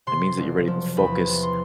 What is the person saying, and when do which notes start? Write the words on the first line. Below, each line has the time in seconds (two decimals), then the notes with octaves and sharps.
It means that you're ready to focus
0.07 C3 C6
0.37 F#1
0.67 F3
0.97 E2 B5
1.27 C3
1.43 C6